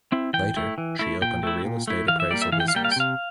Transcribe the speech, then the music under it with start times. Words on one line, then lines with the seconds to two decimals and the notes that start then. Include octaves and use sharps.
Later, she opened a real estate appraisal business.
0.12 C4 E4
0.33 E3 G5
0.56 A3 E4
0.78 E3
0.99 A3 E4
1.22 A#2 G5
1.43 A3 E4
1.65 A#2
1.88 A3 E4
2.08 E3 F5
2.20 E5
2.30 G3 A#3 D5
2.42 E5
2.52 E3 F5
2.60 G5
2.68 F5
2.75 G3 A#3 G5
2.85 F5
2.92 G5
2.96 C3 F5